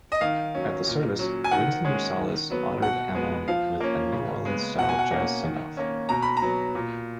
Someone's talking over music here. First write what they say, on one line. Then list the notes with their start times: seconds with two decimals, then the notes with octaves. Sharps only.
At the service, Wynton Marsalis honored Ammon with a New-Orleans-style jazz send-off.
0.12 D#5
0.21 D#3 F5
0.55 F#3 C#4
0.87 A#2
1.19 F#3 C#4
1.44 G#5
1.51 D#3 F#5
1.85 G#3 C#4
2.18 D#3
2.50 F#3 B3
2.82 B2 F#5
3.15 G#3 B3
3.48 F3 F5
3.80 A#3 C#4
4.13 C#3
4.45 G#3 B3
4.79 B2 F#5
4.89 G#5
4.99 F#5
5.11 A#3 C#4
5.44 D#3
5.77 A#3 C#4
6.09 B2 A#5
6.23 B5
6.37 A#5
6.42 F#3 B3
6.75 A#2